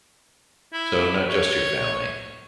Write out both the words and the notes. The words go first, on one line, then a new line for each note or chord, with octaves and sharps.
so, not just your family.
E4
C#5